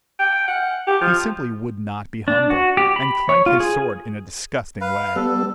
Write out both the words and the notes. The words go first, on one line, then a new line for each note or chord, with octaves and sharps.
He simply would not be humble, and clanked his sword in a disgusting way.
G5
F#5
G4
F3
D4
F#4
G4
B5
C#5
F4
G#4
B4 F5
G3 B3 A4